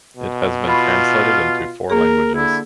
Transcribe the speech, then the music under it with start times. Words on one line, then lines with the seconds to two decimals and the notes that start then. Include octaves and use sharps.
It has been translated into four languages.
0.17 B2
0.68 F4 B5 C#6
1.90 A#3 G#4 A#4
2.36 D3 E4